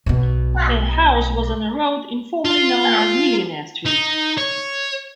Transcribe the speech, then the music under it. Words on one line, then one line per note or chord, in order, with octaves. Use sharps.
Their house was on a road informally known as "Millionaire Street".
B1 B2
F4
D#4
C#5